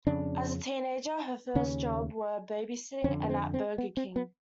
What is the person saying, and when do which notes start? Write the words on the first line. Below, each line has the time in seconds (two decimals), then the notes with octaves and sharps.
As a teenager, her first jobs were babysitting and at Burger King.
0.07 F2 C#3 D4
1.55 D#2 C#3 C#4
3.04 F2 C#4
3.08 D3
3.24 B3
3.29 C4
3.54 C4
3.78 B3
3.97 C4
4.16 B3